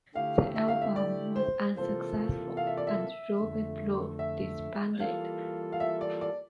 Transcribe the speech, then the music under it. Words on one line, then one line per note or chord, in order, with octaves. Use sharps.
The album was unsuccessful, and Ruby Blue disbanded.
D3 A3 E4 G4 F5
E5
F5
E5
D5
C5
C3 E3 A#3 F4 A4 C5
F5
E5
D5
E5
F2 D3 A3
E5
E3 G3 A#3 F4 A4 F5
F5
E5
D5
D5